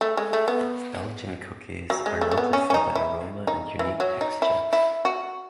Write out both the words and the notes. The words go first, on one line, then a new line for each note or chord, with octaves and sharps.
Belgian cookies are noted for their aroma and unique texture.
A3
G#3
A3
B3
F#3
G#3
A3
A3
B3
C#4
C#4
D#4
E4
D#4
E3
F#3
D#4
E4
E4
F#4